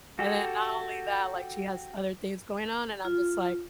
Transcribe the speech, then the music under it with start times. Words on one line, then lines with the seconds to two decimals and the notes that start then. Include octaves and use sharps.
and then, not only that, like, she has other things going on, and I'm just like,
0.19 F#4 G4 A4
3.05 F4